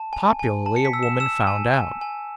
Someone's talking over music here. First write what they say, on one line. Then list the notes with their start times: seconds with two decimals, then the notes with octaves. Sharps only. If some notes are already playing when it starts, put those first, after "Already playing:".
Popularly, a woman found out.
Already playing: A5
0.13 G#5
0.39 G#5
0.66 A5
0.76 C#7
0.85 B6
0.93 E6
1.03 E7
1.20 E6 E7
1.47 G#5
1.74 G#5
2.01 G#5